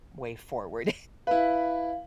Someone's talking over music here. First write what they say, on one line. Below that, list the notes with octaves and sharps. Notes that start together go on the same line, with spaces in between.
way forward.
E4 B4 F5